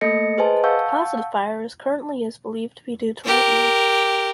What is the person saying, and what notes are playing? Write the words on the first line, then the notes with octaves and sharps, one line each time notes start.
The cause of the fire is currently is believed to be due to lightning.
A3 A#3 A4 D#5 A#6 C#7
G#4 B4 C5 D#5 G#5 A5
F5 F#5 A5 C#6 E6 G6
G4 A#4